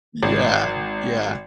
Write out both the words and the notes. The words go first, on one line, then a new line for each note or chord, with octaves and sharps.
Yeah, yeah.
G#1